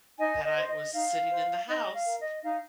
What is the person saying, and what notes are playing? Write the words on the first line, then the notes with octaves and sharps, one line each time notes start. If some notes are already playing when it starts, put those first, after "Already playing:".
that I was sitting in the house,
D#4 D#5 G#5
D#5
C5
D#5
D#4 F5
C5
D#4 D#5
F5
A#4
D#5
D#4 F5